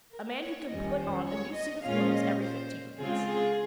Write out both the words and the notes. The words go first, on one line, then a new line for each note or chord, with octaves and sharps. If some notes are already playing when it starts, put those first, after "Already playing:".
A man who can put on a new suit of clothes every fifteen minutes.
A#4
C#5
F2 D#3 G3 C#4 D#5
C5
C#5
D#5
A#2 G#3 C#4 F4 F5
D#5
C5
C#3 G#3 C4 F4 G#4
G#4